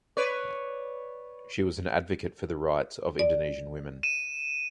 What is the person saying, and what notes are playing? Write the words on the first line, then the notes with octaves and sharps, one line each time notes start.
She was an advocate for the rights of Indonesian women.
B4 C#5 D5
D5
D#7 E7